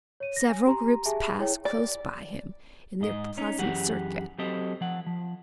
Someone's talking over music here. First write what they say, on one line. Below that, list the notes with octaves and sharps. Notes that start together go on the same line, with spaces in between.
Several groups passed close by him, in their pleasant circuit.
C#5 D#7
A#6
G#5
G4 A#5 C6
G4 G#4 E5 G#5 A5
E4 G#4 C#5 G5
D5
G#2 D#5
C#4 D#4
F#2 E3 G4 G#4 F#5
F#3 C4 G4 A4 D#5
F3 F#5
F3